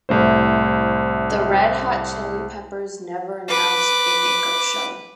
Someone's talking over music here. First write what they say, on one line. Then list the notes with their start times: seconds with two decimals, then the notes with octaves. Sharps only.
The Red Hot Chili Peppers never announced a make up show.
0.09 C2 A2 C5
3.48 B4 D6